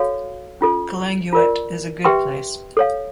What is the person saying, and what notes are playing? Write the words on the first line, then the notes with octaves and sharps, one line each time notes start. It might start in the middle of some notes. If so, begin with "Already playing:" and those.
Calanguate is a good place.
Already playing: F#4 A4 C#5 F5
C#4 F4 A4
F4 A#4 D5
G4 B4 E5 G5 C6
A4 C#5 F5